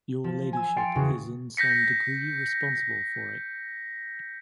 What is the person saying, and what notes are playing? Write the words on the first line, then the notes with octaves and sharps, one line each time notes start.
Your ladyship is in some degree responsible for it.
F3
G#5 E6
F5 G5 C6 A6 C#7 D7
E2 C#3 F#4 G#4
G6 A#6 B6 C#7